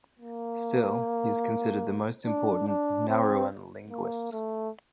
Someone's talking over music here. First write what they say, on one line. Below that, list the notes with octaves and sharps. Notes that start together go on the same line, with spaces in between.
Still, he is considered the most important Nauruan linguist.
A#3
D4
D4
C4
A#3
A3